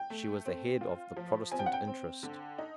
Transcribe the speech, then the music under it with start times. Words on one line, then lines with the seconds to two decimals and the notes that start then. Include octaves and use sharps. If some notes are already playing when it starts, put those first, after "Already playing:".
She was the head of the Protestant interest.
Already playing: G5
0.10 A3
0.46 C4
0.81 F4
1.17 F3
1.52 C4 G#5
1.59 G5
1.66 F#5
1.73 G5
1.87 C4
2.23 D3
2.58 D#4